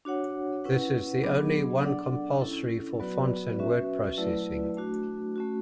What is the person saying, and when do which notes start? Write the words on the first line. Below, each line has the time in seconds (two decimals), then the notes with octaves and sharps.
This is the only one compulsory for fonts and word-processing.
0.05 D4 F#4 C#5 F#5
0.64 C#4 E4 B4 F#5
1.23 F#3 B3 D4 G#4
1.82 D4 A4 D5 F#5
2.41 C#4 E4 A4
3.00 F#3 B3 F#4 B4 D5
3.59 C#4 F#4 B4 E5
4.18 F#3 A3 E4 B4 D5
4.77 A3 D4 F#4
5.36 A3 C#4 F#4